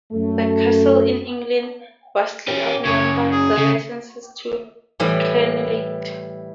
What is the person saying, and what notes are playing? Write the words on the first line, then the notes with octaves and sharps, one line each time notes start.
The castles in England vastly outnumber the licences to crenellate.
F#2 A3
C#4 G4
F#2 C#3 C#5
G#4
C#3
A2 E3 G3